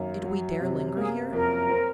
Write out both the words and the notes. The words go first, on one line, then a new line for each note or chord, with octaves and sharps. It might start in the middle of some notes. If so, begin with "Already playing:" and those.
Did we dare linger here?
Already playing: F#2 D#3 A#3
F#3
C3
A#3 G#4
F2 A#4
C4